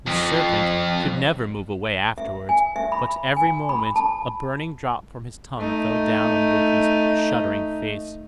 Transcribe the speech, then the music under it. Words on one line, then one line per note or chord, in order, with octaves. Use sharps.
The serpent could never move away afterwards; but every moment a burning drop from his tongue fell down on Loki's shuddering face.
F2
E5
G#5
E5
B5
G#5
B5
A5
A3 D#4